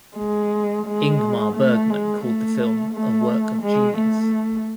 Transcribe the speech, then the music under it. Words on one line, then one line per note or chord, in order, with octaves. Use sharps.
Ingmar Bergman called the film a "work of genius".
G#3
G#3
A3
G#3
A3
A3
G#3
A3